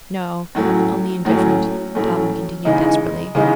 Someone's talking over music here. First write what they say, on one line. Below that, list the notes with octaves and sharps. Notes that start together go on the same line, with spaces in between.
"No, only indifferent," Dobbin continued desperately.
A2 F#3 A3 C#4
A2 F#3 A3 C#4
A2 F#3 A3 C#4
C#3 E3 G#3 D#4
C#3 E3 G#3 D#4